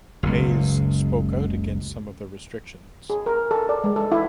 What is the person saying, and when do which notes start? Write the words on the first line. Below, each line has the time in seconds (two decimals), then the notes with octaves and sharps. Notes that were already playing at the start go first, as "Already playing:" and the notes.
Maes spoke out against some of the restrictions.
0.23 F#1 C#2
3.10 G#4
3.26 A#4
3.51 A4
3.69 D5
3.84 G#3
3.96 A4
4.12 E4